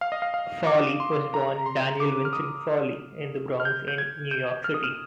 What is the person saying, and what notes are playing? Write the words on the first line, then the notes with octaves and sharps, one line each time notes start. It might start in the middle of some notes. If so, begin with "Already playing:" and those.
Fowley was born Daniel Vincent Fowley in The Bronx in New York City.
F5
D#5
F5
F5
D6
C6
A#5
C6
D6
F6
D#6
F6
G6
G6
G#6
G6
F6
D#6
F6